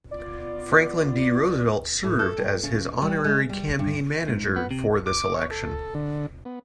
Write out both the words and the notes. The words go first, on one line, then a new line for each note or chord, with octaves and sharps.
Franklin D. Roosevelt served as his honorary campaign manager for this election.
B3 F4 D5
A2
A4
G3
C#3
G3
G#3
G3
G2
G#2
B3
C3
D6
C#5
A4
D3
B3